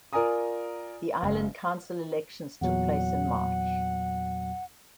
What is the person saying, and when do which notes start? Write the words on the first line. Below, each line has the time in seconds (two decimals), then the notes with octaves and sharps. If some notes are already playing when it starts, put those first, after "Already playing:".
The island council elections took place in March.
0.13 F4 A#4 D5 G#5 A#5 D#6
1.22 F#1
2.61 E2 A#2 F#3 F#5